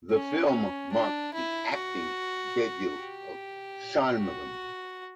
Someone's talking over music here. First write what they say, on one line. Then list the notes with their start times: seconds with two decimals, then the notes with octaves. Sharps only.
The film marked the acting debut of Shanmugham.
0.11 C#4
0.92 D4
1.34 E4
1.74 F#4
2.97 G4
4.18 F#4